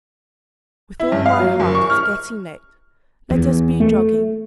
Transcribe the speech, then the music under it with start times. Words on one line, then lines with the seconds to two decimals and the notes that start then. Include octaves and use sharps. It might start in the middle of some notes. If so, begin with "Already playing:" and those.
"With all my heart, it's getting late, let us be jogging."
1.00 E4
1.12 G2
1.26 F5
1.39 F#3
1.60 F#1
1.75 C#6
1.90 F6
3.31 E2
3.80 A3